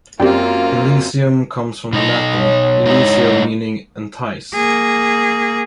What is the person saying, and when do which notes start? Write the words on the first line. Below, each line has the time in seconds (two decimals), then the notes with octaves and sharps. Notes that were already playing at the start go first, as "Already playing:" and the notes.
"Illicium" comes from the Latin "illicio" meaning "entice".
0.20 F#2 A#3 C4 F4 G4 D5 G5
1.93 B2 D#4 D#5
2.38 C#5
2.85 G#3 D#4 E4
4.54 A#3 G#4